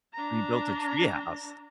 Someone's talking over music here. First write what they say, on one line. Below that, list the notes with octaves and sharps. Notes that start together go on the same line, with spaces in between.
We built a tree house.
D4 A#5